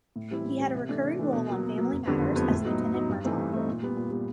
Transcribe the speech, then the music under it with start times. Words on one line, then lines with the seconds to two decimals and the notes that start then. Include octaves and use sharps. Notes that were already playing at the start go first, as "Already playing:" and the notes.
He had a recurring role on "Family Matters" as Lieutenant Murtaugh.
0.16 A2
0.31 E3 G3 C4 E4
0.46 A2
0.59 E3 G3 C4 E4
0.75 C3
0.89 E3 A3 D4
1.04 C3
1.19 E3 A3 D4
1.33 B2
1.48 F#3 A#3
1.63 B2
1.78 F#3 A#3
1.92 F#1
2.06 F2 D3 G3 B3
2.21 F#1
2.35 F2 D3 G3 B3
2.50 A2
2.65 F#3 B3 D#4
2.79 A2
2.94 F#3 B3 D#4
3.09 G2
3.24 E3 A3 C4 D#4
3.37 G2
3.53 E3 A3 C4 D#4
3.68 A#2
3.83 G3 B3
3.96 A#2
4.11 G3 B3